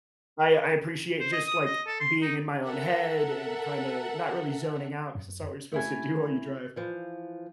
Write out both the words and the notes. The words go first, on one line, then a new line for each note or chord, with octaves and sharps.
I I appreciate just, like, being in my own head and kinda not really zoning out, 'cause it's not what you're supposed to do while you drive.
C5
D#5
D#6
D#5
A4
C6
D#4
A4 A#4 E5 F#5
F#2
A3 E4 G#5
E3 F3